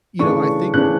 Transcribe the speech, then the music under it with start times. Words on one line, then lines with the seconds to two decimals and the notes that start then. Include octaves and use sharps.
you know, I think
0.19 C#3 E3 A3 D4 C#6
0.74 C#3 E3 A3 D4 F#6